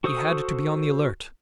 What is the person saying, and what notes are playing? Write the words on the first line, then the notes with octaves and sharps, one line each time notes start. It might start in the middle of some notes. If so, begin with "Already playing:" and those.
He had to be on the alert.
F#4 A4 C5 C#6 D#6